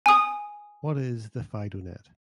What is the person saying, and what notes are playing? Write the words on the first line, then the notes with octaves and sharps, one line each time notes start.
What is the "FidoNet"?
G#5 D#6